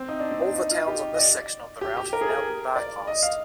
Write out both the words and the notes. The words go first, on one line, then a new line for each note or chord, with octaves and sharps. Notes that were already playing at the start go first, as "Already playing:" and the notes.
All the towns on this section of the route have now been bypassed.
Already playing: C4
D#4
D4
C4
D4
D#4
F4
G4
D#5
D5
G4
G4
A#4
G#4
A#4
D5
D#5
F5